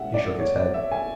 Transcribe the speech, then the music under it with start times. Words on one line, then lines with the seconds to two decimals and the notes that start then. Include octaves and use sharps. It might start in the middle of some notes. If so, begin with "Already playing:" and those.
He shook his head.
Already playing: B2 G#3 C#4 E5 F#5
0.14 D5
0.39 C#5
0.56 D5
0.74 E5
0.92 G#5